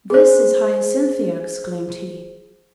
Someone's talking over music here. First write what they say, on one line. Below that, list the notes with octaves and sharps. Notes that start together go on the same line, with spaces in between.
"This is Hyacinthia!" exclaimed he.
G#4 C5